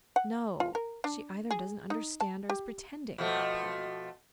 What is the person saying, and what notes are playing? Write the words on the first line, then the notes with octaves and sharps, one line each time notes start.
"No, she either doesn't understand or is pretending," thought Pierre.
F#5
F4
A#4
D4
G#4
D#4
A5
G4
B2 F3 A3